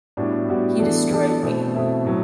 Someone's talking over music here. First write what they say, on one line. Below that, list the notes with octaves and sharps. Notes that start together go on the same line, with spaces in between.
He destroyed me.
A2 G3 B3 D4 F#4
A2 G3 B3 D4 F#4
E3 B3 D4 A4
E3 B3 D4 A4
B2 A3 C4 E4
B2 A3 C4 E4
A2 F#3 A3